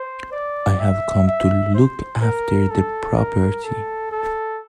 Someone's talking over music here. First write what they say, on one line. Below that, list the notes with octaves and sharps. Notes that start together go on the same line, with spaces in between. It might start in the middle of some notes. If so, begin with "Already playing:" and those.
I have come to look after the property.
Already playing: C5
D5
E5
E5
C5
A#4
A4
A#4
A4
A4